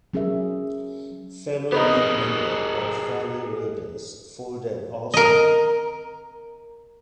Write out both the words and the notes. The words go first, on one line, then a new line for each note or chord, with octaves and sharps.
Fellow league member Pauls Valley Raiders folded also.
F#3 C#4 G#4 A#4 E5
B3 D#4 G4 G#4 A#4
A#4 D#5